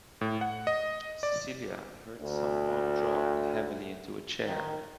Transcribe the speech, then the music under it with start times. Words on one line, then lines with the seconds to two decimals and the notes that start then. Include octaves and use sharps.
Celia heard some one drop heavily into a chair.
0.21 A2
0.41 F#5
0.67 D#5
1.23 D5
2.20 D2
4.45 D#3